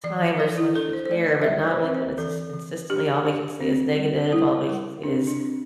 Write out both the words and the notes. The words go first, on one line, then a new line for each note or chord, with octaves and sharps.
time or some extra care, but not, like, when it's just consistently all they can say is negative, all they can say is
E3 D5
E3 A4
E4
D4 A4
C5
C5
A3 D5
D5
E5
G3 D5
C5
C4
C5
E3 A4
E3
D4 G4
D4
C4
G3
G3 E4
G3
C4 D4
D4
C4